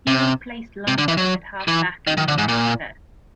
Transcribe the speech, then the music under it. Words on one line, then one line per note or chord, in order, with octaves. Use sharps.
He replaced Langer at halfback in the next test.
C3
C3
D3
E3
F#3
E3
D#3
D#3
D3
G#2
A#2